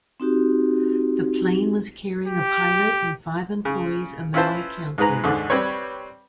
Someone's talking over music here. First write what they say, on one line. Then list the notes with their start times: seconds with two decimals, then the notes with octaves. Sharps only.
The plane was carrying a pilot and five employees of Maui County.
0.20 C4 D#4 F#4 G4
2.26 G4
3.65 C#3
4.34 C#4 E4 F4 B4 C5 A5
4.98 G#2 G#3 B4 A#5
5.24 D#2 G#2 D3
5.50 G3 C4 B4 C#5